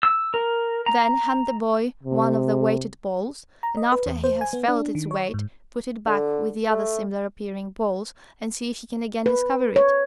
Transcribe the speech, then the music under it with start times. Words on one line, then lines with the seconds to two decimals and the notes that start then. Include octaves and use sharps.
Then hand the boy one of the weighted balls, and after he has felt its weight put it back with the other similar-appearing balls and see if he can again discover it.
0.03 E6
0.34 A#4
0.86 A#5
2.03 C3
3.63 A#5
3.77 D#5
3.92 B4
4.06 E2
4.24 C5
4.41 G#5
4.53 B3
4.68 D4
4.95 D#3
5.11 C#5
5.34 G#2
6.07 D3
6.69 A3
9.26 B4
9.76 C#5